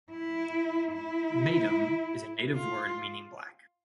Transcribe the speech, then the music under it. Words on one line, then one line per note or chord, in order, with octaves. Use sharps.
"Maitum" is a native word meaning black.
E4
E4
F4